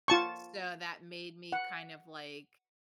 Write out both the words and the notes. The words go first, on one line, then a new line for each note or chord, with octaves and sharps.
So, that made me, kind of, like,
F4 A5 C#6
F#5